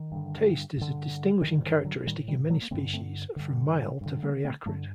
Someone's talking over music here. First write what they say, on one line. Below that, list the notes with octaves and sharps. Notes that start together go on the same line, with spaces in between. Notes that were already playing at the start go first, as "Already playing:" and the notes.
Taste is a distinguishing characteristic in many species, from mild to very acrid.
Already playing: D#3
G2 D3
G2
D3
G2 D3 D#3
D#3
D3 F#3
A2 D#3 G3
D#3 G3
F#3 A3
A#3
G2 D3 A3 C4
A3 C4
G2 D3
G2 D3
G3 A#3
A3 C4
G2 D3 F#3 A3